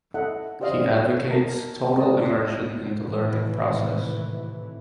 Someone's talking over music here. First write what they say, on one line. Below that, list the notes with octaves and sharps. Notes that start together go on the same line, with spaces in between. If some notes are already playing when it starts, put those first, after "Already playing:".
He advocates total immersion in the learning process.
E4 A4 D#5 E5 F#5
E4 G4 C5 D5 D#5 F5
E4 C#5
B3 A#4 D#5 A5 A#5
A3 C4 D5 D#5 A5
D#5
G#1 A2 C3 E3